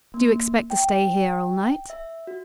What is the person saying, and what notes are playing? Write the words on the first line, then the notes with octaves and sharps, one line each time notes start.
"Do you expect to stay here all night?"
A#3
G5
E5
F#4